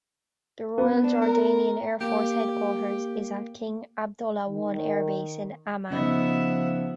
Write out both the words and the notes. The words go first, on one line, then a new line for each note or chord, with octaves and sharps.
The Royal Jordanian Air Force Headquarters is at King Abdullah I Airbase in Amman.
B3
D4
A#4
A#3 G4
D#3
C#3 F3 B3 D#4 E5 F#5